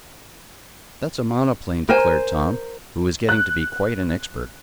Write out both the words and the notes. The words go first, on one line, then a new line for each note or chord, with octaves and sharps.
"That's a monoplane," declared Tom, who was getting to be quite an expert.
A#4 C5 G#5
F#6